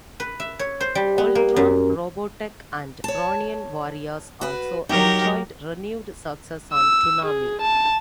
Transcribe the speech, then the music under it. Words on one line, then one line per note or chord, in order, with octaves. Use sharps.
"Voltron", "Robotech" and "Ronin Warriors" also enjoyed renewed success on "Toonami".
B4
E5
C#5
C5
G3
B3
A#3
F#2
C#5 A5
F#4 B4
F#3 D#4 G4 A#4
E6
G#4
A5